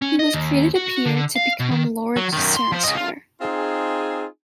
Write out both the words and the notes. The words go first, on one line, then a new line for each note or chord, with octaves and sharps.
He was created a peer to become Lord Chancellor.
C#4
D#5
D#2
F#4
D3
F5
B2
D#3
F#3
F#2 D#3
C6
F3 C5
C#3 D#5
F4
C4 D#4 F4 G#4